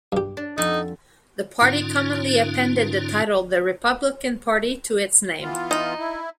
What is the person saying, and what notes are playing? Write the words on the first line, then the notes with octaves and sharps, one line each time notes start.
The party commonly appended the title "The Republican Party" to its name.
G2 G4
D4 D5
F2 D#4 A4 F#5
G#2 D3 C#4 D#4 F4
E3 B3 F4
D#4
E4